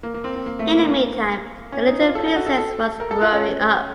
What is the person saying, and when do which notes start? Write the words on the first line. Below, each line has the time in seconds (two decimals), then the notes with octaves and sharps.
In the meantime, the little princess was growing up.
0.03 A#3
0.14 A#3
0.24 C4
0.36 C4
0.46 A#3
0.59 A3
0.74 A#3
0.84 C4
0.89 A#3
1.72 C#4
1.88 D#4
2.01 F4
2.15 A4
2.26 A4
2.36 F#4
2.47 A4
2.58 A4
3.00 A#4
3.11 A4
3.22 F4
3.33 C#4